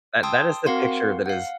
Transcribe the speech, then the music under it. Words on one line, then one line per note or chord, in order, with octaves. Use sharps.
that that is the picture that is
G5 A5 C6 D#6 E6
C4 F#4 A#4 F5 F#5 C6
F5 F#5